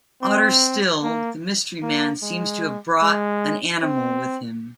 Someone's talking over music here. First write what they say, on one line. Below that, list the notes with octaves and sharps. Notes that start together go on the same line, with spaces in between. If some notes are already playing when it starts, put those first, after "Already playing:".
Odder still, the mystery man seems to have brought an animal with him.
C4
A#3
A#3
G#3
G#3
C4